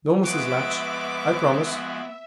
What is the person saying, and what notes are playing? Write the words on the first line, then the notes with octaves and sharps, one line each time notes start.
"No, Mrs. Latch, I promise."
F3 G#3 B3 F#4 E5 D6